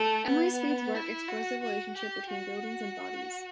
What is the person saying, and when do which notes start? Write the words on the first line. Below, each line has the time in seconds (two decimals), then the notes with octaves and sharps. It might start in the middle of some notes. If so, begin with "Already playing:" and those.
Emily Speed’s work explores the relationship between buildings and bodies.
Already playing: A3
0.26 B3
0.95 E4
1.28 F#4
1.62 F#4
1.97 G4
2.30 F#4